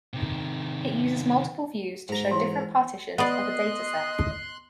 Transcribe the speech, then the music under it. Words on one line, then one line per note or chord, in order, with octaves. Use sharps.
It uses multiple views to show different partitions of a dataset.
C3 D#3
G#2 A#5
E3 E4
B3 D5 D#5 C6 F#6